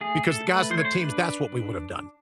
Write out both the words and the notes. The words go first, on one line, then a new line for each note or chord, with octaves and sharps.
because the guys on the teams, that's what we would have done.
A3 G#4
A4
A3 B4
C5
C#5
C5
D4 B4